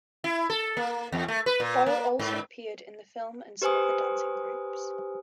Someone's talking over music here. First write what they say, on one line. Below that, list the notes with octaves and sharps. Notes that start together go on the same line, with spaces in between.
Boyle also appeared in the film in some of the dancing groups.
E4
A4
A#3
E2
A3
B4
A#2
A#3
G#2
G4 B4 C5 G#5 D#6